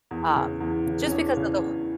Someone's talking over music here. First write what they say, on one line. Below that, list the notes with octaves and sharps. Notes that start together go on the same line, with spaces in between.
um, just because of the ho
E2
C#3 E3
E2
C#3 E3
C#4
E2 D4
C#3 E3
E2